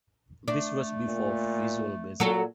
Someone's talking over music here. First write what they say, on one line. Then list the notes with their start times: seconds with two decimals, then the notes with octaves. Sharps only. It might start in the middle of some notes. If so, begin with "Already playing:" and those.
This was before Visual Basic.
0.48 A3 D4
1.08 A#2
2.20 A#2 F#3 A4